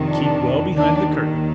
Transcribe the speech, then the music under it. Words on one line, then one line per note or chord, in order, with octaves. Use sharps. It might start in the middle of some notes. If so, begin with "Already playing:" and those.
Keep well behind the curtains.
Already playing: F2 C3 D#3
D4
D#2 D#3 D4